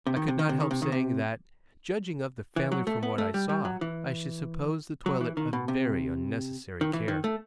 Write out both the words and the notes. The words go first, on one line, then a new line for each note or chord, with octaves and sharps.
I could not help saying, "that, judging of the family from what I saw, I should suppose the toilette a very unnecessary care."
C3
D#3
C3
D#3
C3
D#3
C3
D#3
C3
E3
F#3
A3
B3
A3
G3
G3
F#3
E3
F#3
E3
D#3
B2
C3
D#3
E3
D#3
A3